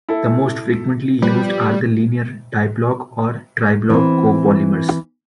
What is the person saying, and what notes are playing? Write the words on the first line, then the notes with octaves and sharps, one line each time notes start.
The most frequently used are the linear diblock or triblock copolymers.
E4 A4
F3 G3 B4
E3 C4